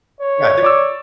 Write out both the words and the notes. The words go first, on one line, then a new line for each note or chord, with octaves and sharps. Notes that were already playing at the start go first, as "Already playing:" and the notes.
yeah, I think
C#5
D5 D6 E6